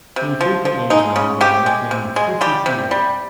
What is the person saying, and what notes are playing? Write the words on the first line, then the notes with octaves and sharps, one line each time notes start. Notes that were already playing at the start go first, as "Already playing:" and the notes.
He frequently is known by the nickname Filthy Pierre.
C3
F3
F3
G#3 D#4
C#3
C3 G4
G#3
C3
G#3
G3 G4
C3
G3